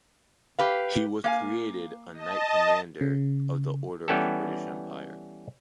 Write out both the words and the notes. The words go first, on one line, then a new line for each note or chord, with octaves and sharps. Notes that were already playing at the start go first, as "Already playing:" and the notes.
He was created a Knight Commander of the Order of the British Empire.
G4 B4 F5
A#3 F5 G#5
D#5 A5
C#3
E3 G3 B3 C#4 G4 A4